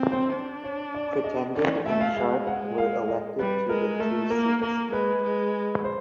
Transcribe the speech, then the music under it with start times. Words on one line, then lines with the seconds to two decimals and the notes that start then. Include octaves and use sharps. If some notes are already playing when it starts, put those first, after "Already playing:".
Crittenden and Sharp were elected to the two seats.
Already playing: C4
0.12 C5
0.33 D4
0.64 C#5
0.94 D5
1.24 D#5
1.55 C#4 D5
1.86 A3 E5
2.01 F5
2.17 G#3 F5
2.47 F#5
2.78 F5
3.08 D#5
3.39 G3 B4
3.69 G#3 A#4
4.00 A3 A#4
4.30 A#3 A#4
4.62 A#3 A#4
4.92 G#3 B4
5.22 G#3
5.84 C5